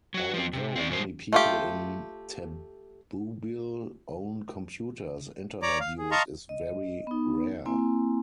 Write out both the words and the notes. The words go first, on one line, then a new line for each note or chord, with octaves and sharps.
Although many people in Tabubil own computers, Internet use is very rare.
F#3 F#4
F3 C4
C3
C4 C#5 D5
A#2 F#3 C5
A3 F4 G4
C#5 D5 A#5 D6
F5
G#4
D#5 F5 A5 A#5 C6 C#6
D#5
B3 D#4
A#3 C4 E4 G#5